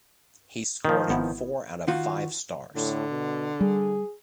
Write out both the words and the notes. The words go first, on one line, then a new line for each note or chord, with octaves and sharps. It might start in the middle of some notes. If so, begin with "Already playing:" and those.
He scored it four out of five stars.
D#3 F3
G#1 B3 E4
D#3 F4 F#4
A2 D3
B2
G3 G#4